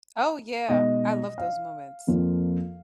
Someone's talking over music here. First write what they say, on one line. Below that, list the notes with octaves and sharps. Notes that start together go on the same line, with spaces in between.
Oh yeah, I love those moments.
B2 G#3 D#4 D#5
F5
F2 F3 A#3 F4